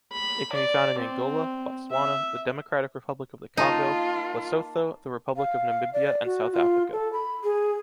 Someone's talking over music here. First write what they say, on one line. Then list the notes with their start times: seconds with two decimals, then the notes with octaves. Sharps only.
It can be found in Angola, Botswana, the Democratic Republic of the Congo, Lesotho, the Republic of Namibia and South Africa.
0.12 B5
0.53 D5
0.98 C4
1.91 E5
3.57 A#3 D#4 F4 A5
5.36 F5
5.93 D5
6.24 F#4
6.53 F4
6.92 A4
7.13 B5
7.44 G#4